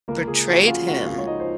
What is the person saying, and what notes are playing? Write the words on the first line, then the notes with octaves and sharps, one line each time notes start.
portrayed him
C#2 A#3 A#4
C#2 G#4
F3 F#4
C#3 F4 F5
C#2 F#4 F#5
C#2 F4 F5
C#5
F3 D#4 D#5
C5